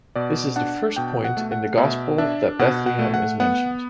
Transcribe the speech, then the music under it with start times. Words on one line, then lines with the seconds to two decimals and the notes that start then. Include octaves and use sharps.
This is the first point in the Gospel that Bethlehem is mentioned.
0.15 B2 D5
0.56 D4 F#5
0.96 B2 G5
1.25 F#5
1.37 A3
1.52 F#5
1.78 B2 E5
2.18 D4 E5
2.59 B2 F#5
2.86 F#5
2.99 A3
3.14 F#5
3.40 B3 F#5